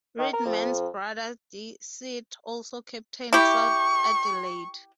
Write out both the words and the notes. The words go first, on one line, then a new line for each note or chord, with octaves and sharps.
Reedman's brother Sid also captained South Adelaide.
D#3
A#4
F2
E4 G4 C#6